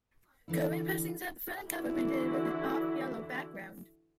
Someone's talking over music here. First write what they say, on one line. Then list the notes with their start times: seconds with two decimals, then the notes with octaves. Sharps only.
Current pressings have the front cover printed with an off-yellow background.
0.48 D3 E3 E4
1.68 D3 E3 E4 F#4